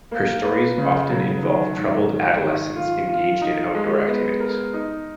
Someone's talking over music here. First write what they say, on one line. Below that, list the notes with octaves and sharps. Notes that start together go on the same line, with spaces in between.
Her stories often involve troubled adolescents engaged in outdoor activities.
A#3
B4
C#3
F#3
D#3
G#2
D#3
D#3
F4
F4
D#4
G#3
B3
A#4
D#4